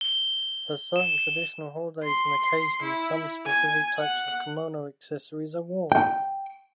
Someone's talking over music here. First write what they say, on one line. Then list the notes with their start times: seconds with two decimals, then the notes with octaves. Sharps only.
For certain traditional holidays and occasions some specific types of kimono accessories are worn.
0.01 G7
0.96 E7
2.04 C6
2.82 E4
3.46 G#5
3.98 F#5
5.92 G5